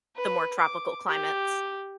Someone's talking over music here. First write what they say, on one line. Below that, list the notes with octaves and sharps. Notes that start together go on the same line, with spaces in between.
the more tropical climates.
B4
D6
G4